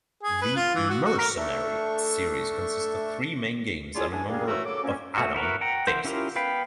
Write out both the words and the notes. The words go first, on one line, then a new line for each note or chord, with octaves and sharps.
The "Mercenary" series consists of three main games and a number of add-on datasets.
G#4
B4
F4
E3
F#4
F#4
A#4
A3 D4 A4 E5 C#6
F#3 D4 E4 F4 G#4
E2 D4 G#5
G3 A#3 C#4 D4 G#4
E3 F#3 A3 F#4 A#4 E6
C#3 F#3 A4 D6
F3 F#3 A#3 C4 C#4
A3 F#4
E4 F#4 A#4 B4
F#5 G5 A#5
E3 A#4 F#5 C6 G6
C#4 E4 F4 G4 A#4
B3 B4 F5 G5 B5